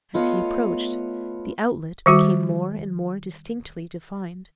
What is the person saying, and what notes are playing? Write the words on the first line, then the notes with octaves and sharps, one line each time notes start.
As he approached, the outlet became more and more distinctly defined.
A3 B3 F4 C#5 D#5
D#3 G3 F#4